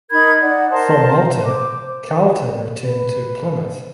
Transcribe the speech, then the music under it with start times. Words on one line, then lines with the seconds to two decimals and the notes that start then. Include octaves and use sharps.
From Malta "Carlton" returned to Plymouth.
0.11 D#4 A#4 B5 G#6
0.42 D#4 D5 F#5
0.71 A#4 C5 A5 C6
1.44 C5 D6
2.85 B4